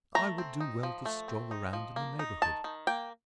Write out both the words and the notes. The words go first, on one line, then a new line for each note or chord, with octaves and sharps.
I would do well to stroll around in the neighborhood.
A3 A#5
C4
D#4
F3
A3
C4
D#4
F3
A#3
D#4
D#3 A5
D#3
A#3 G5